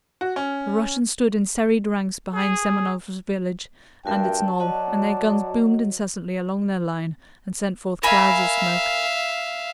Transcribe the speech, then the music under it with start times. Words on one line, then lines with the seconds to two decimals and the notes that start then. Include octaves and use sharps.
The Russians stood in serried ranks behind Semenovsk village and its knoll, and their guns boomed incessantly along their line and sent forth clouds of smoke.
0.21 F#4
0.36 C#4
2.33 G#4
4.06 G2 F#4 A#4 E5 G5 A5
4.60 F#3 F#4 D5 D#5 F#5
8.03 A#4 E5 F5 G#5 B5